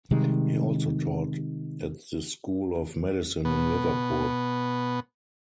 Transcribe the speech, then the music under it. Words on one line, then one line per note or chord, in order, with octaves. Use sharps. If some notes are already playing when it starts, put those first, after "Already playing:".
He also taught at the School of Medicine in Liverpool.
C3 D#3 G3 G#3
B2 B3